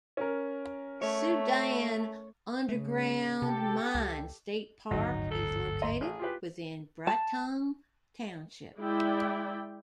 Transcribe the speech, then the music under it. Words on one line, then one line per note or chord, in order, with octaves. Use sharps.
Soudan Underground Mine State Park is located within Breitung Township.
C#4 A#4
A3 C#5
C#3 A3
C3 G4 A4
C#2
D1 G1 G#2 D#3 F#3 D#4
A4
D#5 A#5 C6
A1 G#4
F4 G4 B4
A5
G#3 E4 D5 E5 G5